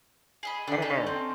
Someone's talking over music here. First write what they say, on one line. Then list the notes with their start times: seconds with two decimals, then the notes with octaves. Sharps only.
I don't know.
0.43 G#4 D#5 B5
0.67 D3 D4 G5 G#5
0.82 C#4 D#4 A4
1.06 C4